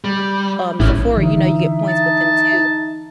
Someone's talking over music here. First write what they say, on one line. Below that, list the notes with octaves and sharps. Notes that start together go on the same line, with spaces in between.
um, Sephora. You know, you get points with them too,
G3
A1 C#4 E4
D3 E3 D#4 E5
A5